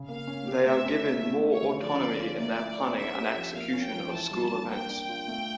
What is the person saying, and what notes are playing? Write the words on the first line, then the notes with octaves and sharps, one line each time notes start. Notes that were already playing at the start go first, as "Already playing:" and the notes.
They are given more autonomy in their planning and execution of school events.
Already playing: C#3
A#3 F5
C#4
G4
A3 E5
C#4
F4
A3
C#4
C#5
D3
F3 D5
C#4
F4
A3 D5
E4
A4
C#4 E5
G4
F3
A#3 F5
C#4
G5
F3
E3 A5
G3
D4
A#3 G5
D4
F4
A3